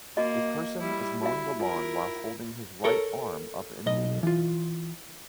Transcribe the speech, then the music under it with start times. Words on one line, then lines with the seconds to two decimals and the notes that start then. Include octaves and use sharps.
A person is mowing the lawn while holding his right arm up in the air.
0.17 A#3 F#4 D#5
0.80 G3 E4
1.23 E4 F#4 E5
1.60 E4 F4 A#4
2.84 A4 A#4 C#5
3.86 B1 D#5
4.23 E3 F4